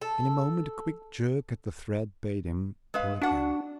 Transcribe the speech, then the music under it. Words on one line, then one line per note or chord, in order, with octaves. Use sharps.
In a moment a quick jerk at the thread bade him pull again.
A4
G#3 B4 F5
D4 F#4 F#5